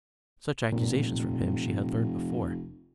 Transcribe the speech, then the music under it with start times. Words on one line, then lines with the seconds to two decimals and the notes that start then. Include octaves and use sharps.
Such accusations from him she had heard before.
0.72 F1 A#2